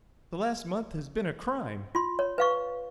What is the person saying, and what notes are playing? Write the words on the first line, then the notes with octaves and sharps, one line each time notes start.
The last month has been a crime.
F4 C6
C#5
B4 F5 C#6